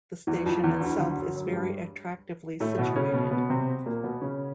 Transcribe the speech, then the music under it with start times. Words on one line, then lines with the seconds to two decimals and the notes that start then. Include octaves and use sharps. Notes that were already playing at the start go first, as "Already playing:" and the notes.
The station itself is very attractively situated.
0.27 E2 E3
0.46 F2 F3
0.64 E2 E3
0.81 D2 D3
0.98 D2 D3
1.16 F#2 F#3
1.34 F#2 F#3
1.46 G#3
1.52 G2 G3
2.60 A2 A3
2.78 B2 B3
2.96 C#3 C#4
3.13 B2 B3
3.31 B2 B3
3.50 C3 C4
3.86 A#2 A#3
4.04 B2 B3
4.21 C#3 C#4